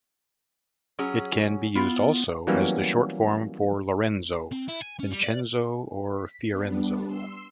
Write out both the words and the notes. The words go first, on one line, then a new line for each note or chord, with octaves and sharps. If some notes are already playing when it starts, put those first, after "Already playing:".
It can be used also as the short form for Lorenzo, Vincenzo or Fiorenzo.
F#3 C#4 G#4
B3 E4 F4
E3 F#3 G3 A#3 B3 C#4
C4
E4
G#5
C#4
G3
D5
B6
G3 B3 D4
C6 E6